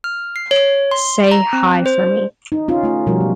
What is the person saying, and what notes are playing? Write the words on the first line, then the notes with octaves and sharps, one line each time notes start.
Say hi for me.
F6
C7
C#5
C6
A#5
C4
C5
D#4
C#4 D#4 F4
A3 F4
B2 F3 G3 F#4 A#4
F#3